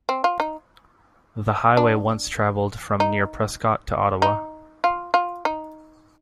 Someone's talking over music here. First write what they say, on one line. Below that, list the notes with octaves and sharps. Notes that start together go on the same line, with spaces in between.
The highway once travelled from near Prescott to Ottawa.
C4
F4
D#4
D4
D#4
D#4
F4
F4
D#4